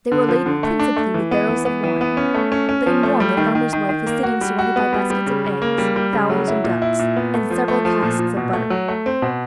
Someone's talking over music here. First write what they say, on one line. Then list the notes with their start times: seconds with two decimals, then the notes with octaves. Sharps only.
They were laden principally with barrels of wine; but in one the farmer's wife was sitting, surrounded by baskets of eggs, fowls, and ducks, and several casks of butter.
0.12 D3
0.29 F3
0.46 D3
0.63 A3
0.79 D4
0.96 A3
1.14 E3
1.31 B3
1.48 E3
1.65 B3
1.84 E3
2.01 B3
2.17 C#4
2.34 A3
2.52 C#4
2.69 C#4
2.86 F3
3.03 A3
3.20 G3
3.37 D#3
3.55 D#3
3.73 D#3
3.89 D#3
4.07 A#3
4.23 F#4
4.41 G3
4.59 F#4
4.76 B3
4.93 G3
5.10 G3
5.26 C#3
5.44 C#3
5.62 A#3
5.78 G3
5.96 G3
6.13 C#3
6.30 F#3
6.48 E4
6.64 A#2
6.82 E4
6.99 A#2
7.16 B3
7.34 A3
7.50 F3
7.68 A3
7.85 F3
8.03 A#2
8.19 A#2
8.37 B2
8.53 A3
8.70 F#3
8.88 A3
9.06 C4
9.22 B2